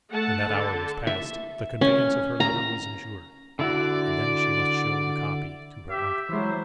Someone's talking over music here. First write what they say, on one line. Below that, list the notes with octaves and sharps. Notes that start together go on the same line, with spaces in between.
When that hour was passed, the conveyance of her letter was insured, and then she must show the copy to her uncle.
A3 F#5 A5
D3 A4 A5
E5
C#4
A#5
D3 E4 F#4 D5
G4 E5
E3 F#3 G#3 E4 C5